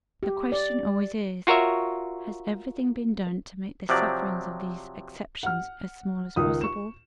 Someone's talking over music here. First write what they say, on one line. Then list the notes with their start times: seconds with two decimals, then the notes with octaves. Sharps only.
The question always is, has everything been done to make the sufferings of these exceptions as small as possible?
0.23 G4
0.52 D5
1.47 F4 F#4 A#4 C#5 E5
3.89 C3 F3 F#3 G4 D5
5.43 F#5 F6
6.36 C#2 D#3 D#6
6.61 C#6 E7